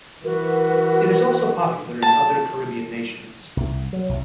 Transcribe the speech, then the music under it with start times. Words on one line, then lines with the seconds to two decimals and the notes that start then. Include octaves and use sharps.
It is also popular in other Caribbean nations.
0.24 E3 F#4 A#4 B4
2.02 A5
3.57 C2
3.93 F#3
4.09 C2